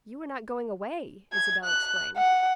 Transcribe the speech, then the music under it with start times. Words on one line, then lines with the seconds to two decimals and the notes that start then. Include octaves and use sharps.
"You're not going away!" Isabel exclaimed.
1.32 G#6
1.64 F#6
2.16 F#5